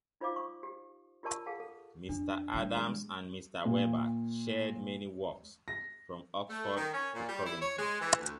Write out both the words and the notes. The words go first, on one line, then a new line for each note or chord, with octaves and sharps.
Mr. Adams and Mr. Weber shared many walks from Oxford to Covington.
D#4 F4 C5 D5 F5 D6
F4 C#6 D#6
G4
F4 G4 A#4 D5 A5 C#6
G#4 A4 F5 F#5 A5
A4
F2 D4
E3 G3
G#3
A#2
A#6
A3
D#3
C#4
A#2
G3
E4
C#5
G#3
E3
D2